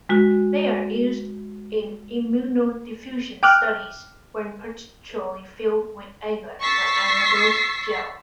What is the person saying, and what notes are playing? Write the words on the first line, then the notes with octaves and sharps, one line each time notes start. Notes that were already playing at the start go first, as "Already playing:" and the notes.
They are used in immunodiffusion studies when partially filled with agar or agarose gel.
G#3 F#4
G5 D6 F6 F#6
C#6 E6 A6 B6 C7